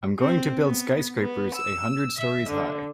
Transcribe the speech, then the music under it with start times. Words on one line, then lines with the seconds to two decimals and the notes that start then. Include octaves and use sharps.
I'm going to build skyscrapers a hundred stories high.
0.20 C4
0.65 B3
1.21 B3
1.55 E6
2.17 E5
2.50 D3